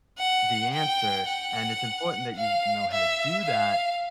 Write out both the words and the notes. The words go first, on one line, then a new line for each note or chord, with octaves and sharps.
the answer, and it's important that you know how to do that.
F#5
G5
F#5
F5
E5
F5